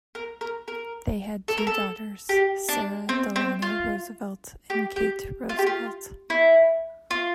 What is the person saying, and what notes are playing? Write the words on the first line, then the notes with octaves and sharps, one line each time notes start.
They had two daughters, Sara Delano Roosevelt and Kate Roosevelt.
A#4
A#4
A#4
A4
A#4
A4
G4
D4
C4
C4
F4
G4
G4
F4
G4
F4
E4
F4